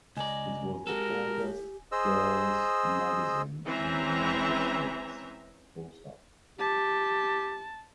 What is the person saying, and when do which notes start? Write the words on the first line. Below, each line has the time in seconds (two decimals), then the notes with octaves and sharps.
It was the oldest girls' magazine in the United States.
0.17 C#2 D5 D#5 G#5 A#5
0.87 G#3 F#4 G4 A4 A#4
1.92 G#4 C5 D#5 E6
3.65 E3 G#3 C4 C#4 E5 A#5
6.59 G4 A5